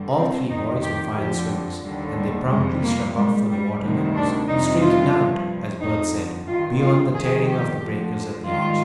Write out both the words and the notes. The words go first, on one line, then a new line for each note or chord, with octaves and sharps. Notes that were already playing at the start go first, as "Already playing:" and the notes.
All three boys were fine swimmers, and they promptly struck off for the water that was "straightened out," as Bert said, beyond the tearing of the breakers at the edge.
Already playing: G2 D3 G3
C4
F2 D#3 G3 D#4
G4
F2 D3 F3 G4
D#2 D3 G3
G3
F2 C3 G3 G#3
A#3
G#2 G3 G#3
G3
D2 C3 D#3 G3
D4
F2 C3 G3 D#4
F4
G2 F3
F2 D3 G3 D#4
G2 D#3 G3 F4
F4
F2 D#3 G3 G#4
G4
D2 D3 F3
G#2 D#3 G3 F4